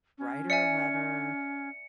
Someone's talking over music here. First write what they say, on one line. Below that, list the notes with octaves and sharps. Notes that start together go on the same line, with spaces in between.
write her a letter,
C#4
D5 E5 G#5 C#7